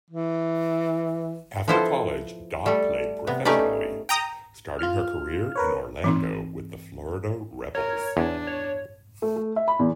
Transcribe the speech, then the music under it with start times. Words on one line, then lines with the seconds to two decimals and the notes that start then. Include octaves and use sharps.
After college Dot played professionally, starting her career in Orlando with the Florida Rebels.
0.11 E3
1.68 F3 B3 E4 A4 C5
2.66 G3 A3 A4
3.27 C3 B3
3.45 A3 C#4 D#4 G4 B4 D5
4.09 G5 A#5 D#6
4.79 F4 F6
5.55 A#4 B4 C#5
6.04 E3 C4 D#4
7.75 A#4 C#5
8.17 E2 D4
8.47 C#5
9.22 A3
9.36 A3
9.56 E5
9.68 B5
9.79 E2